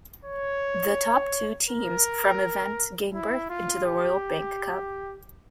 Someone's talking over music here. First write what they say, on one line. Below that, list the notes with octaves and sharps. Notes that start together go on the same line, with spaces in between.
The top two teams from event gain birth into the Royal Bank Cup.
C#5
A#4
E4
F4
G4